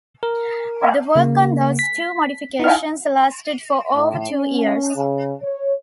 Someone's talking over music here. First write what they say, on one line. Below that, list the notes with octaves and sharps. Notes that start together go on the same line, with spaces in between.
The work on those two modifications lasted for over two years.
A#4
C#3 A#3
B6
D#4 E4 F6
A2
C#4
C#3
C#5